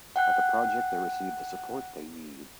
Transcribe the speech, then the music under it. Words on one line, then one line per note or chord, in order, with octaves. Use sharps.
At the project they receive the support they need.
F#5 G5 F#6